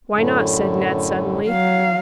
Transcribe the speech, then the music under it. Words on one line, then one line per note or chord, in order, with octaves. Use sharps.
"Why not?" said Ned suddenly.
F#2 A2 D3
F#3 F5